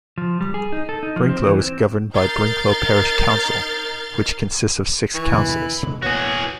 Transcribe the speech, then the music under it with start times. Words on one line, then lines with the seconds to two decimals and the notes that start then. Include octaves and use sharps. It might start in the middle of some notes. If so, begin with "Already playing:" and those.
Brinklow is governed by Brinklow Parish Council, which consists of six councillors.
0.18 F3
0.41 G3
0.54 G#4
0.72 D#4
0.89 A4
1.03 D#4
1.16 F3
1.29 C4
1.46 E3
1.61 C4
2.13 D#4 A#4 F6 G6 A6 C7
5.14 E3 C#6
5.33 D#2 B2 D3 B5
5.83 B2 D3 G#3
6.02 E1 A1 A#3 B3 F#4 G#4 C#5